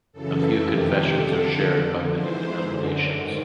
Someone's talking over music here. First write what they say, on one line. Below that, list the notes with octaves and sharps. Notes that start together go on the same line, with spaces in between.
A few confessions are shared by many denominations.
F#2 C#3 E3 A4
F2 C3 D#3 G4
F2 D3 A4
F2 D3
G#2 E3 C5
F#2 D3
G#2 D#3